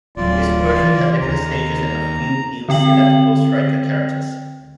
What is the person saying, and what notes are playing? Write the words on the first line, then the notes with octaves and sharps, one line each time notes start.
This version had different stages and a few new selectable striker characters.
D1 F#3 F4 D5
E3
D#2 A#5
D3 C4 G5 F#7